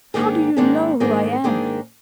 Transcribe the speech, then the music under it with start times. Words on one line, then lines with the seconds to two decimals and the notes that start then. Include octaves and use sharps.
How do you know who I am?
0.14 G#2 D#3 A#3 D4 G#4
0.57 G#2 D#3 A#3 D4 G#4
1.00 G#2 D#3 A#3 D4 G#4
1.44 G#2 D#3 A#3 D4 G#4